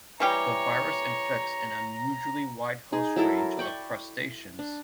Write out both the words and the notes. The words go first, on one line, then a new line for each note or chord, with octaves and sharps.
The virus infects an unusually wide host range of crustaceans.
E3 G3 G4 C#5 A#5
D#4 G#4
F#3 E4 A4 A#4
D5 G5 B5 C#6
D4